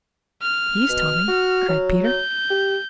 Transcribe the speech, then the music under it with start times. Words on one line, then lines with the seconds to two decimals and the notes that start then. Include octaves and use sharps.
"Please, Tommy," cried Peter.
0.43 F6
0.89 B2
1.28 F#4
1.68 F#3
2.06 G6
2.50 G4